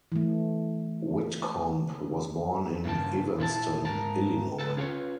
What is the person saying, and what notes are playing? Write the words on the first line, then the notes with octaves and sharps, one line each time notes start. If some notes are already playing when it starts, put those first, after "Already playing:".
Whitcomb was born in Evanston, Illinois.
E3 A3
G2 C#3 A#3 G5 A5
A#2 E4 B4 A5
G#2 A#4 A5
A4 B4
C#4 F4 G4 A#4 B4 C#5